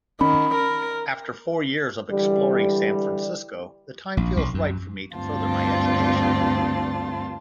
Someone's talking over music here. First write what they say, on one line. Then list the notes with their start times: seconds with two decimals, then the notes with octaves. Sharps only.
After four years of exploring San Francisco, the time feels right for me to further my education.
0.21 D#3 C#4 B5
0.55 A#4
2.10 D3 E3 G3
4.17 A#1
4.37 B1
4.54 F#2
5.16 D2 G2 C4 F4 A5